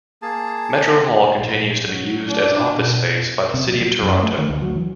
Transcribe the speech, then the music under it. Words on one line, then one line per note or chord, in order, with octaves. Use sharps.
Metro Hall continues to be used as office space by the City of Toronto.
A#3 G#4 A5
A#1
F#3
D4
B2
C3
F#3
F#3
F#2
A3
D#3
D2
F#3
E3